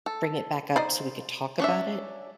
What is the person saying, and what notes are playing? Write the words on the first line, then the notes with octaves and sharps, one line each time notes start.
bring it back up so we could talk about it
A4
D#4 C5 D5 D#5
C#4 D4 E5